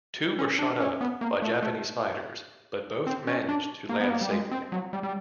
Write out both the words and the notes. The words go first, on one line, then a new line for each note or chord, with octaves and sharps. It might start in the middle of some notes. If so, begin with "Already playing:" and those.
Two were shot up by Japanese fighters, but both managed to land safely.
C#4
D4
C#4
B3
A#3
A3
A3
C4
C#4
D4
A#3
B3
A#3
G3
G#3
C4
F#3
G3
G3